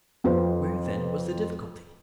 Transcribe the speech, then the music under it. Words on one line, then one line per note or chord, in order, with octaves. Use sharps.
Where then was the difficulty?
F2 F4 B4 C5